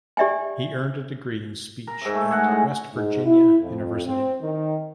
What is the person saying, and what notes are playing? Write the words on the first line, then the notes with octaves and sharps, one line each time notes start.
He earned a degree in speech at West Virginia University.
G4 D5 E5 G5 G#5
A#4
G#2 E5
A3
G#4 D#5 F#5 G#5
A2 G#3
G#2
E4
F2
C4
D#3